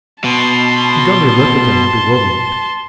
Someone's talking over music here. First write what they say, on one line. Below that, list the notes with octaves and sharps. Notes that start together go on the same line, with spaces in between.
Montgomery looked at them in bewilderment.
B2 A5 C6